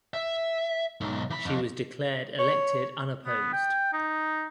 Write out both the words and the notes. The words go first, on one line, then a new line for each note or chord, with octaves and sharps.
She was declared elected unopposed.
E5
B1 G#2
E3 B5
F2
C#5
B3
G5
D#4